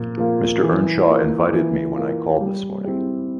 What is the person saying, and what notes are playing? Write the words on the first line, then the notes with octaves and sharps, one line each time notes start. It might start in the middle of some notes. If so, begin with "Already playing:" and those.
Mr. Earnshaw invited me, when I called this morning.
Already playing: A#2 F3 A#3
F3 A#3 F4
E3
A#3 F4
E3
A#3 F4
G3
C4 E4 G4